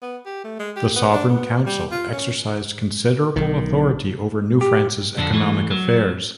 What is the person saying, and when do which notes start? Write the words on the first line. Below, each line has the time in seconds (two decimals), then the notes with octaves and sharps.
The Sovereign Council exercised considerable authority over New France's economic affairs.
0.02 B3
0.25 G4
0.44 A3
0.59 G#3
0.76 G4
0.96 B3
1.13 D4
1.28 B3
1.66 G3
1.91 F4
2.13 C#4
3.36 B1 D#3
4.61 G4
5.18 F2 D3 D4
5.33 E3 A3
5.70 F#3